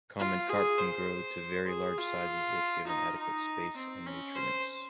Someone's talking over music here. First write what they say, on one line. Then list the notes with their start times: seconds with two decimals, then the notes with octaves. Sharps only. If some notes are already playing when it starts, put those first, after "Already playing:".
Common carp can grow to very large sizes if given adequate space and nutrients.
0.19 F4
0.49 G#4
0.78 C5
1.67 G#4
1.98 F4
2.87 D#4
3.17 D#4
3.76 C4
4.06 C#4
4.35 C5